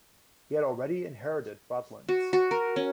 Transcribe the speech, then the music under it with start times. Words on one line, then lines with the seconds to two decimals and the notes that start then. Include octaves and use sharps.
He had already inherited Broadlands.
2.09 F#4
2.33 F#4
2.51 A#4
2.76 C#4